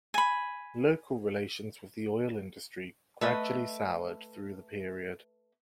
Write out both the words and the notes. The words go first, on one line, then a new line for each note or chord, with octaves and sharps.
Local relations with the oil industry gradually soured through the period.
G#5 B5
A3 B4 D#5